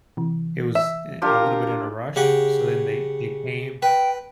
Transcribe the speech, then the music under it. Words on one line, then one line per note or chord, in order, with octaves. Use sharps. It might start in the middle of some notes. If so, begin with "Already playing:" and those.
it was I a little bit in a rush. So then they they came,
C3 E3
E5
D4 F4 G4 A#4
C#3 G4 F#5
B4 G5